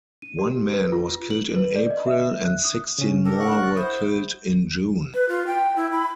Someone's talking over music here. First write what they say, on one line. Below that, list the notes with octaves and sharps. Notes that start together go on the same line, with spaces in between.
One man was killed in April and sixteen more were killed in June.
D#7
G4
B4
F4
F#7
B4
D5
D#5
E5
F#6
D#6
C#3 C#4
G4 A4 A#4
D4 F5 F#5 C#6 F#6
A6
E4 C5 D#6
B4
F4
G5
E4
B5